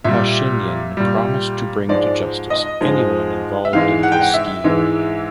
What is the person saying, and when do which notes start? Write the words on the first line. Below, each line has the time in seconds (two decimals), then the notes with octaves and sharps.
Pashinyan promised to bring to justice anyone involved in this scheme.
0.04 A#2 G3 E5
0.97 A#2 G3
1.89 G#2 F3 G#3 D5
2.50 D#5
2.81 G#2 F3 G#3
3.65 E5
3.73 G#2 E3 G#3 F5
4.03 F#5
4.12 G5
4.21 F#5
4.34 E5
4.64 G#2 E3 G#3